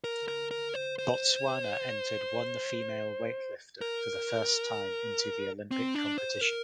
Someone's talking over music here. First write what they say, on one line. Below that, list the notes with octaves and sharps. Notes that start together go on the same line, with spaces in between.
Botswana entered one female weightlifter for the first time into the Olympic competition.
A#4
A#4
A#4
C5
C5
A#4
C4
D4
C5
A#4